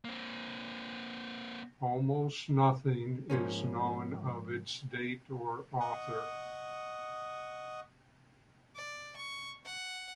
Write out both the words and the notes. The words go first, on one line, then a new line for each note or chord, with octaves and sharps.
Almost nothing is known of its date or author.
A#3 C4
G#2 F3 A#3 C#4
D#5 F#5 C#6 D#6
D5
C#6
F#5